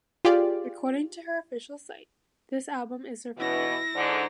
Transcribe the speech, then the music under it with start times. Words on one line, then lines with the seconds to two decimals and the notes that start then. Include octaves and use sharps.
According to her official site, this album is her favorite.
0.25 F4 G4 G#4 D5
3.38 B2 E3 E4 A#6
3.95 G#2 D3